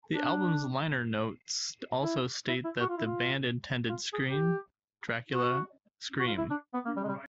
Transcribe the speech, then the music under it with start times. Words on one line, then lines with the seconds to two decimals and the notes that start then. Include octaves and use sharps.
The album's liner notes also state that the band intended Scream, Dracula, Scream!
0.13 D4
2.02 E4
2.48 E4
2.64 E4
2.80 F#4
2.89 F4
2.98 E4
3.06 F4
3.90 F4
4.13 G#4
4.25 G4
5.32 F#4
6.19 F#4
6.27 F4
6.38 E4
6.50 D4
6.74 B3
6.85 A#3
6.97 G3
7.04 G#3
7.08 G3